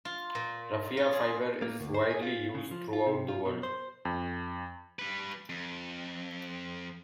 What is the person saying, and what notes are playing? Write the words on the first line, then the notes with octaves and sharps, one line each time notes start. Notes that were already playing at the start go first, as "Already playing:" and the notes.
Raffia fibre is widely used throughout the world.
F4
A#2
F4
G#4
A#3
D2
C5
G#4
F4
C#3
F3
F4
C3
F4
B2
C5
F2
G3 B4
F2